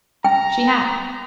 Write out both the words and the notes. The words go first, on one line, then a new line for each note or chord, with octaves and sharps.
She had.
G5 A#5